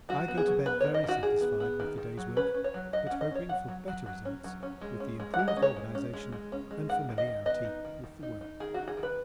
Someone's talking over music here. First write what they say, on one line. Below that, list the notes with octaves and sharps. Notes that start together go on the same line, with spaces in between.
I go to bed very satisfied with the day's work, but hoping for better results with the improved organisation and familiarity with the work.
F#3 F#4
B3
G#4
F#3
B3 B4
D#3 C#5
D#5
D#3 F#4
D#3 G#4
B3
B3
D#3
D#3
F#3
C#4 B4
C#4
C#5
F#3
F#3 D#5
C#4 F#5
D#5
C#4 C#5
F#3 F#5
F#3
F#3
F#3
C#4
F#3
C#4
G#3
C#4
G#3
F#5
G#3
D#5
C#4
C#5
G#3
C#4
G#3
G#3
C#4
G#3
D#3 F#5
D#3
D#5
D#3
B3 D#5
D#4
D#3
D#3
D#4
D#4
D#3 G#4
D#4 F#4
G#4
D#3
B4